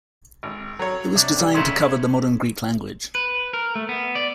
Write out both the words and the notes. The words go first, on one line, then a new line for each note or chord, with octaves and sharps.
It was designed to cover the modern Greek language.
G#1
F#3 C#5
C3 D4
D#3 G3
C#3 D#4 C#5 E5 C6
B4
A#4
A3
B3
D5